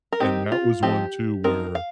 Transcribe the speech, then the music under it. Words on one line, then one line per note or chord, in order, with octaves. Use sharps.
And that was one too where
A#4
D#3 C4 D#4 G4
F4
F3 C4 D#4 G4
F3 C4 D#4 A#4
F5